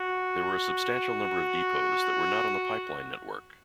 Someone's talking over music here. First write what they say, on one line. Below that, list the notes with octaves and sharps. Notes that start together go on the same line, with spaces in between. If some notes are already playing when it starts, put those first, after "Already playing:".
There were a substantial number of depots that were not on the pipeline network.
Already playing: F#4